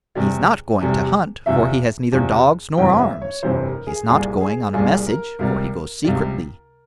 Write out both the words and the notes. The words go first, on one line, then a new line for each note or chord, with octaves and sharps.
He's not going to hunt, for he has neither dogs nor arms; he's not going on a message, for he goes secretly.
E2 C3 G3
E2 C3 G3
E2 C3 F3 E5
E2 C3 F3
G1 F2 C3 E3 G5
E5
C#5
G1 F2 C3 E3 C5
A#4
G#4
C2 A#2 G3 G#4
G#4
C2 A#2 G3 G#4
A#4
C#2 C3 G3 A#4
C#2 C3 G3